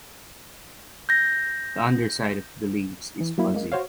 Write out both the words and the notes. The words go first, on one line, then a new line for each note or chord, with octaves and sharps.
The underside of the leaves is fuzzy.
G6 A#6
E3
F#3 A#3 E4
G#3 A#3
F#4 C5 C#5 F5